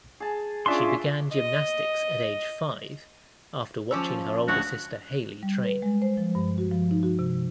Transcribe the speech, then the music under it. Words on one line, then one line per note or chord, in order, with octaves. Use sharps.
She began gymnastics at age five after watching her older sister Hayley train.
G#4 A5
C#4 D4 F4 G#4 D5 E5 C6
D#5
F3 C#4 F4 D6 E6
D2 F#4 C#5
G3
B4
G#3
C5
F3
G2
F#4
F3
D#4
F#4
C3